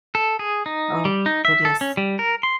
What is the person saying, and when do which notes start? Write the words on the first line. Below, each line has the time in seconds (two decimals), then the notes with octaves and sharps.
Oh, it is.
0.15 A4
0.39 G#4
0.66 D#4
1.05 G3
1.26 D#4
1.45 E5
1.65 A4
1.81 C#4
1.97 G3
2.19 A#4
2.43 C6